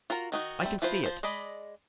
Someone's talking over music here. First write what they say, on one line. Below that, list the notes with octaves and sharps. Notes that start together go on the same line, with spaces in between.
I can see it.
F4 F#4 A#4 A#5
D#3 D#4 F#4
G3 A3 C4
F3 E4 F4 B4 C5
F3 C5
G#3 D5 D#5 B5